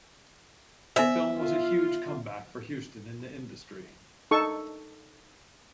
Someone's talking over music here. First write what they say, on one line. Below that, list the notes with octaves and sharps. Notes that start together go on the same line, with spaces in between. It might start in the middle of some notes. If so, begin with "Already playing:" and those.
This film was a huge comeback for Houston in the industry.
B3 C5 E5
F4
D#4 A4 C#6